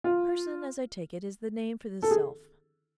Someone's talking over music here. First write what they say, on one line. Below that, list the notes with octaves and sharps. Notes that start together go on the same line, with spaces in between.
PERSON, as I take it, is the name for this self.
F4
A4
G#4